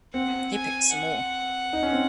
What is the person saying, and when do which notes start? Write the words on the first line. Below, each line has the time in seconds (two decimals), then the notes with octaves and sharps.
He picked some more.
0.13 C4 F#5
0.54 G#5
0.93 F#5
1.73 D#4
1.83 C#4
1.93 C4